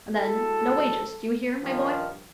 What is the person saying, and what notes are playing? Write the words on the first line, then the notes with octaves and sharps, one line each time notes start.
And then, no wages, do you hear, my boy?
G#3 E4 F#4 A4
G2 D#3 F3